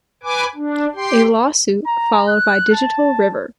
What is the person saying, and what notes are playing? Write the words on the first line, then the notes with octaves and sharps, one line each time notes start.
A lawsuit followed by Digital River.
B4 G#5 D6
D4
G4 G5 C6
A#5
F#6
A5